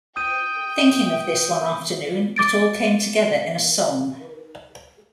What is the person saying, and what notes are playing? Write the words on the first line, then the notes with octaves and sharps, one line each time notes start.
Thinking of this one afternoon, it all came together in a song.
G5 D#6 G6 D#7
D6 A6 D7